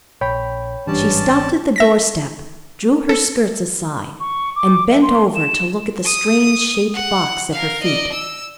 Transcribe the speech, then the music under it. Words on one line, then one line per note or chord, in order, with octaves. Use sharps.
She stopped at the doorstep, drew her skirts aside, and bent over to look at the strange-shaped box at her feet.
A#1 C#5 G5 B5
G#1 G2 E3 C#4 D5 A5
E5 A#6 B6
A4
C#6
D6
E5
C6
E7
D#6
F#5
A#4 F5
D5 D#5
E6